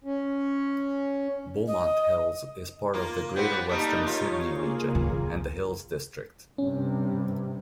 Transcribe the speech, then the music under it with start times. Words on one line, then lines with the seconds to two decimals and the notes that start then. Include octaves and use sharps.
Beaumont Hills is part of the Greater Western Sydney region and the Hills District.
0.04 C#4
1.67 D#5
2.94 A#3 F4
3.36 B3 C4 G4
3.69 G3 A3 A#3 D#4
4.06 D#4 F4 C#5
4.57 A#3 G#4
4.95 C#2 D#3
6.58 G2 C3 C#4